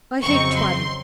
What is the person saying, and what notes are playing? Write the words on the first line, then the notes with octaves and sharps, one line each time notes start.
I hate twaddle.
F2 C#3 F#3 C4 D#4 C#6
C6